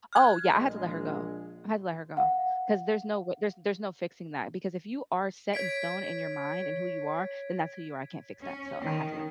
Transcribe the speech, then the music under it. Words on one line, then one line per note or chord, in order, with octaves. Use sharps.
Oh, yeah, I had to let her go. I had to let her go, 'cause there's no wa there's there's no fixing that. Because if you are set in stone in your mind in who you are, then that's who you are. I can't fix that, so I had to let her go.
F6 F#6 G#6
A#1 G#3
F5 F#5
C#5 G#6 B6 D7
C#5
C#4
D#3